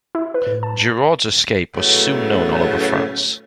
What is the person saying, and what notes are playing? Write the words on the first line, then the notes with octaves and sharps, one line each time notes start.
Giraud's escape was soon known all over France.
E4
B4
A2
A5
A2 C#3 F#3 A3 B3 C#4